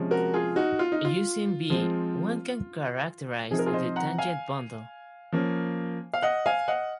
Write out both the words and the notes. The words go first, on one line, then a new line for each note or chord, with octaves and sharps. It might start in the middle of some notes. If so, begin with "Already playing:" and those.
Using "V" one can characterize the tangent bundle.
Already playing: C3 F3 G#3 C#4
F#4 A#4
F4 G#4
D#4 F#4
F4
D#4
F4
F3 G#3 C4
C3 F3 C4 D#4 G#4
A#4
F4 G#4
C5 D#5
F#5 A#5
F5 G#5
F3 A#3 C#4
F5
D#5 F#5
F5 G#5
D#5 F#5